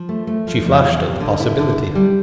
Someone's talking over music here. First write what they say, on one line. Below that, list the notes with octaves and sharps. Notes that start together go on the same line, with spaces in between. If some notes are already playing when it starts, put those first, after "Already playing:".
She flushed at the possibility.
Already playing: F3
A3
A3
F3
F2
E2
C3
D3
E4
D3
D3
G3